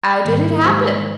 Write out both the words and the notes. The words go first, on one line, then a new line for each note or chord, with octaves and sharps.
"How did it happen?"
G#2 D#3 G3 A#3
F3 G#3 D#4 G4 C5